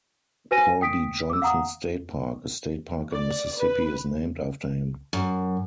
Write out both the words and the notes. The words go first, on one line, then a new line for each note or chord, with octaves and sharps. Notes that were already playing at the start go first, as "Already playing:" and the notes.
Paul B. Johnson State Park, a state park in Mississippi, is named after him.
F#4 B4 C5 G#5 A#6 D#7
G5 D#6 B6 D7
D6 E6
F5 F#5 A#5 D#6
D5
B4
F#2